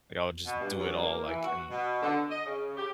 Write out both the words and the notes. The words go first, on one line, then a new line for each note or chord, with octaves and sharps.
like, I would just do it all like, and
B2
G2
F#2
A#3
E3
F#4
B2
D3
D#5
C#3
G4